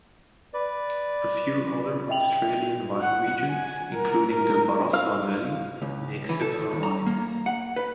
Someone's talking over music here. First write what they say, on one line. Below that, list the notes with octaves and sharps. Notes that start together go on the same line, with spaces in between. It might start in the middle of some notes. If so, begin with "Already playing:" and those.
A few other Australian wine regions, including the Barossa Valley, make similar wines.
B4 D5
D#5 E5 G5 F7 F#7
F#5
G#5
A#4
A#4
F5
C#2
E3
A4
D#2
A#5
A#3
F#5
B4